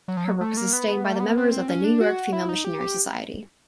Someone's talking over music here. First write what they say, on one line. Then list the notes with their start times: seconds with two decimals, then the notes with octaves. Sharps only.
Her work was sustained by the members of the New York Female Missionary Society.
0.08 F#3
0.17 F3
0.25 F#3
0.41 A3
0.57 A#3
0.73 B3
0.88 B3
1.04 A3
1.16 A#3
1.20 B3
1.37 C4
1.52 C4
1.69 C#4
1.84 D4
2.01 F#4
2.32 E4
2.49 D#4
2.65 G4
2.80 G4